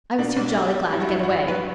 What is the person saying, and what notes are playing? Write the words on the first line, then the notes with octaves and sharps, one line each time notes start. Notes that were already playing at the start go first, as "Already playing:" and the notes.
I was too jolly glad to get away.
B2 D4
B1
G3
G3
G2 E4
F#4
F#3 E4
F#4
G2 E4
F#3 B4